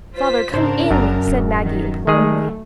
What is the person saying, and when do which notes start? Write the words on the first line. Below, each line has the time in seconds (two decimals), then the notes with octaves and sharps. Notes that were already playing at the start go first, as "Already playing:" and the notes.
"Father, come in!" said Maggie, imploringly.
0.16 F4 C5 B6
0.54 G#2 C#3 D4 A#4 C5
0.91 F#1 F#2
1.28 D1
1.62 D#3
2.07 D#3 F#3 G#3 A3 G#4